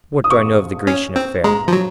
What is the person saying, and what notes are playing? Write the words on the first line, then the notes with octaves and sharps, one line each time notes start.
What do I know of the Grecian affair?
D#6
C#6
C#4
C4
G#3 A#5
F3
F#3